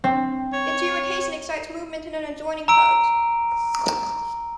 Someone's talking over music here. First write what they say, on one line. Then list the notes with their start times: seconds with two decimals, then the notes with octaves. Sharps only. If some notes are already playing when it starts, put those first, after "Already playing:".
Its irritation excites movement in an adjoining part.
0.04 C4
0.53 C#5
2.68 A#5 E6 D7